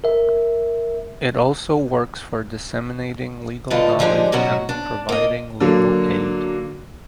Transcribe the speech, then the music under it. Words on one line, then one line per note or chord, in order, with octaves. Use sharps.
It also works for disseminating legal knowledge and providing legal aid.
A#4 E5
G2 D3 D#4 F4 A5
D3 F3 G#3 D4 D#4 G4
B2 F#3 C#4 F#4
D4
A#3 D#5
D3 F#3 A#3